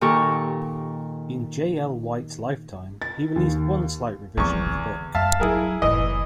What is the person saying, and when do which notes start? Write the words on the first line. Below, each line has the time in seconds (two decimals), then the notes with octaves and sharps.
In J. L. White's lifetime, he released one slight revision of the book.
0.01 A#2 D#3 G4 A4 A#5 C#6
3.02 A6
3.36 D#2
4.37 E2 F3 C4 C#6
4.66 D3
5.14 F#2 G3 E5 F5 A5
5.40 F#3 E4 G#4 A#4
5.82 F#1 A2 E3 D#5